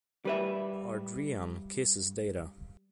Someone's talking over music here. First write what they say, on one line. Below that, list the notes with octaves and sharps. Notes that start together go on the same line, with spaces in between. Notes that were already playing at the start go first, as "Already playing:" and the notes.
Ard'rian kisses Data.
G3 B4 E5